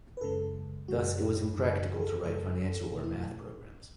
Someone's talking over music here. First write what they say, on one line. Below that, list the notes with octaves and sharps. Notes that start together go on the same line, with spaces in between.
Thus, it was impractical to write financial or math programs.
B4
F#2 C#3 G#3 A4
F#2 C#3 G#3 F#4
D#4
F#2 C#3 G#3 D#4
F#4
G#4
A4
F#2 C#3 G#3 A4
B2 A3
E4